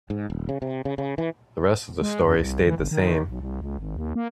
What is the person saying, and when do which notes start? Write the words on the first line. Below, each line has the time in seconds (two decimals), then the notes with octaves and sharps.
The rest of the story stayed the same.
0.10 G#2
0.30 D#1
0.49 C#3
0.62 C3
0.85 C#3
0.98 C#3
1.18 E3
2.02 G#3
2.25 F#2
2.38 C2
2.67 E3
2.79 G1
2.91 D#3
3.29 B1
3.40 C2
3.61 C#2
3.79 G#1
3.96 D#2
4.15 A#3